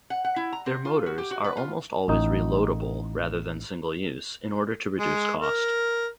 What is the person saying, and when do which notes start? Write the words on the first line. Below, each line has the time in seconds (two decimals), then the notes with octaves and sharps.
Their motors are almost always reloadable rather than single-use, in order to reduce cost.
0.10 F#5
0.25 F#5
0.36 E4
0.53 A#5
0.66 C4
0.85 F4
1.06 F#4
1.18 G4
1.31 F#4
1.44 B4
1.57 F4
2.08 A1 D#4
4.99 G#3
5.41 A#4